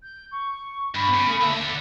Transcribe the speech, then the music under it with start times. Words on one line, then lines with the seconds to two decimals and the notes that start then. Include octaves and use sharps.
Okay, what?
0.02 G6
0.31 C#6
0.95 G2 B5
1.14 C#3
1.41 D3 E5